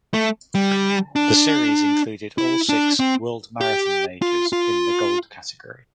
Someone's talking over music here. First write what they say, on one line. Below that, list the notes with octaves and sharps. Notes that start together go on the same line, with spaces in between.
The series included all six World Marathon Majors in the Gold category.
A3
G3
D4
E4
D4
C4
G4
F4
F4